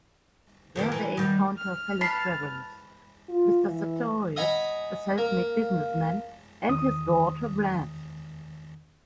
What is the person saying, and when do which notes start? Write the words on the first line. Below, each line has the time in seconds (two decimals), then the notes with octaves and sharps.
There, they encounter fellow travelers: Mr Sartorius, a self-made businessman, and his daughter Blanche.
0.76 F2 B2 D#3
0.92 E3 A#4
1.17 D#3 G3
1.57 F6
2.01 B4 A5 B6 C7
3.29 F4
3.65 E3
4.36 D#5 F#5 G#5 A#5 B5
5.18 A#3
6.69 E2 D#3 D#6